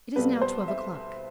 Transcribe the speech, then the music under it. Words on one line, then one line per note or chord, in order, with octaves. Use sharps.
"It is now twelve o'clock."
B1 B2 G3 B3 B4
C5
E5